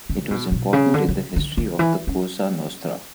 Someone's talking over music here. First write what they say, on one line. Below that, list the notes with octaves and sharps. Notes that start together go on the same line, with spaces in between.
It was important in the history of the Cosa Nostra.
C#3
B2
B2
C#3
D3
C#3
D3
D3
E3
C#4